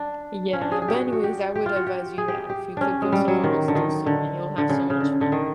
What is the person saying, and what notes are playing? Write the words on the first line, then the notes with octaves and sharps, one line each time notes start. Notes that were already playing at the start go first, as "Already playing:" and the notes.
Yeah, but anyways, I would advise you yeah, if you could go somewhere else, do so, and you'll have so much fun.
Already playing: D4
C#4
D4
G#4
G#4
F#4 G4
F#4
G4
G4
F4
F#4
G4
G#4
G4
G4
C#4 D4
G#3
G3
F#3
D#3
D3
D#3
D3
D3
C#3
C#3
D3
D3
D#3